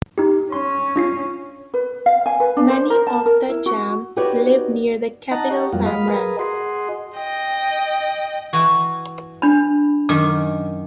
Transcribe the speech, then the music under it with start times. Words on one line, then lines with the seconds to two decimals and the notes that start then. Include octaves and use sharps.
Many of the Cham live near the capital Phan Rang.
0.18 D#4 G4
0.52 C#4 C6
0.96 D4 F4 C7
1.74 B4
2.06 F5
2.26 G#5
2.40 B4
2.57 D4
2.69 C5
2.90 A#4
3.07 A5
3.26 A#4
3.49 E4
3.66 F#4
4.16 D#4 F#4 G4 B4 C#5 D5
5.31 D#4 D#5 F#5 A5 A#5
5.51 G4 C#5
5.73 F2 G3 A#3 F4 F#4
5.86 D#5 F5 B5
6.08 G#4 A#4 B4 D#5
6.39 F#4 G#4 D#5 C6
7.16 D#5 G5
8.53 E3 F#4
9.42 D4 B5
10.09 F#2 D#3 D6